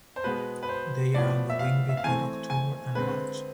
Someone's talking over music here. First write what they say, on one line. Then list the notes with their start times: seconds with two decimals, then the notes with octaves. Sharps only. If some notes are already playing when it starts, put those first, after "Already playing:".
They are on the wing between October and March.
0.16 C5
0.24 B2 G#3 B3 B4
0.63 B4
0.69 C5
1.14 A2 F3 B3 D5
1.50 E5
1.59 F5
1.89 E5
1.97 F5
2.04 E3 A3 C4 G#5
2.50 G#5
2.95 D3 G#3 C4 B4